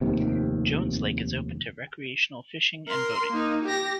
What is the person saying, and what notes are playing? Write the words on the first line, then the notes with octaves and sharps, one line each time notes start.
Jones Lake is open to recreational fishing and boating.
F1 D#2 C3
A#4 C6
A#3 D#4
G4 A#6